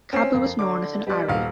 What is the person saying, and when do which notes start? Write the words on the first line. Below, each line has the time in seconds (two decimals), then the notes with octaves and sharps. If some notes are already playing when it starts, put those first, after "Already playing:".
Cabel was also known as Ary.
0.13 C4 C#4 C7
0.34 F2 A#3
0.59 D3 D6
1.07 B2 G3 D5
1.28 D#1 F5